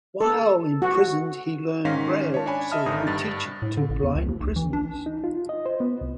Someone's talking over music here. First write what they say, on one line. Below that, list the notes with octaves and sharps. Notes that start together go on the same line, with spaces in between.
While imprisoned he learned braille so he could teach it to blind prisoners.
A4
F#4
G#2 D#3 C#4 F5 A#6 B6
C#5 A5
D4 C#5 G#5 B5
D#5 E5 A5 D#6 F6
G#1 D3 D#4 D#6 A#6
G2 A6
A2
D3
A1
E2
C#2
D#2
B1
E3
D4
D#4
F4
D#5
C5
B3
C2